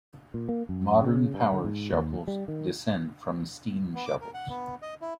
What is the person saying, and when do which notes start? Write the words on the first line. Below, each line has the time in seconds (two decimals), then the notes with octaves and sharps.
Modern power shovels descend from steam shovels.
0.34 A#2
0.49 A#3
0.69 F#2
1.01 C#3
1.34 G2
1.53 D3
1.64 G#2
1.93 D#2
2.28 G3
2.48 D#3
3.95 B3
4.06 D6
4.21 A#4
4.34 F#5
4.49 B3
4.82 D#5
5.01 E4